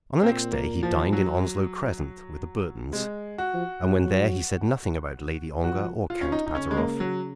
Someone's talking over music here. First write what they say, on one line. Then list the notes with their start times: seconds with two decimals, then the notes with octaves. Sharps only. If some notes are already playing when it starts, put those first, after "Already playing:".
On the next day he dined in Onslow Crescent with the Burtons, and when there he said nothing about Lady Ongar or Count Pateroff.
0.22 A#2 C4
0.53 A#3
0.83 F3
1.13 F#3
2.93 C3 G#3
3.38 F#4
3.54 F3
3.84 F#3
5.64 F3 F#4
6.10 F4
6.21 C#4
6.32 D#4
6.47 D#4
6.54 C#3 C#4
6.71 G#3
6.77 A#3
7.00 F#3